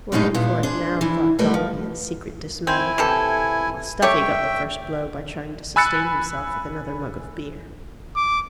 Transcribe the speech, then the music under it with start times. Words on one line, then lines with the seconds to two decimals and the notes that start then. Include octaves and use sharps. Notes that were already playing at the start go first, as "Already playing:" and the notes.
We're in for it now!' thought Dolly, in secret dismay; while Stuffy got the first blow by trying to sustain himself with another mug of beer.
0.12 F#2 A2 D3 G#3 D#4
0.35 A#2 B3 D4
0.63 D4 G#4 C5
1.01 E3 E4
1.39 F#3 G3 A3 A#4 B4 D#5
1.54 F3
2.67 C4 E4 G#5
2.98 C3 E3 A4
4.02 A3 G4 C#5 E5 G5
5.76 G#5 B5 E6 F#6 A6 C#7
8.16 D6